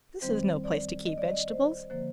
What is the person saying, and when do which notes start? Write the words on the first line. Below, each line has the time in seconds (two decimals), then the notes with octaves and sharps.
This is no place to keep vegetables.
0.22 F2 D#3 G3 C4 C5
0.64 D5
1.05 D#5
1.18 D5
1.30 D#5
1.48 C5
1.90 D3 F3 A#3 C5